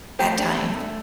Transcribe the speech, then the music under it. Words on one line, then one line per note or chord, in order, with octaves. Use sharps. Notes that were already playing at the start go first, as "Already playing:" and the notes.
at times.
A3 G4 C5
D4
A3
A3